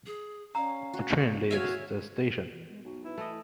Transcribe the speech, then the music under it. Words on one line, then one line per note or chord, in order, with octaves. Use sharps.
The train leaves the station.
G#4
C#4 D5 F5 A#5
F#4
F#4 C#5 E5 F5 G#5
E3
G#3
B1 F#4
E4 B4
E3 A3 D#5